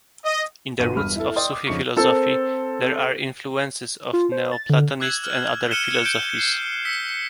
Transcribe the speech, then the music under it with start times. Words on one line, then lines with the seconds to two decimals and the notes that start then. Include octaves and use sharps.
In the roots of Sufi philosophy there are influences of neoplatonist and other philosophies.
0.24 D#5
0.80 G1 B2 D#7
0.96 E1 G2 B5 F6
1.16 E4 A4
1.36 D5 D#5 G5 C6 D#6
1.53 D6
1.67 F2 C#3 D#4 C#6 C#7
1.96 C4 A4 A#4 C5
4.13 F4
4.32 C5
4.52 A6
4.70 D3
5.00 D6 E6 F#6 G#6 F#7
5.24 F6
5.71 F6 C#7 D#7 E7 G7
6.05 G6 D7 D#7 G7
6.38 C7
6.85 E6 B6 C#7